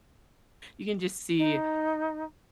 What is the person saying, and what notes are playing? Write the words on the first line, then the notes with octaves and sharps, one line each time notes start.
you can just see
D#4